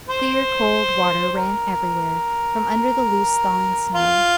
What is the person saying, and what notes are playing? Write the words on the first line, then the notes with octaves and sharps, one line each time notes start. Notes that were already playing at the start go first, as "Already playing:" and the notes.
Clear cold water ran everywhere from under the loose, thawing snow.
C5
A#4
F4